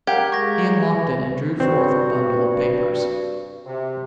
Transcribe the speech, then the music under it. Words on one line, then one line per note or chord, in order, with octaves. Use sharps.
He unlocked it and drew forth a bundle of papers.
G4 A#4 F5 F#5 G#6
G#3 C#6 G#6 A#6
G2 C4 F#4
C3